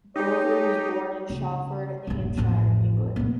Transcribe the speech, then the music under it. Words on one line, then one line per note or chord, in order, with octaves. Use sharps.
Bowker was born in Shawford, Hampshire, England.
D#4 G4 C#5
C#3
D#1 G2
A1 F2
A#1 B3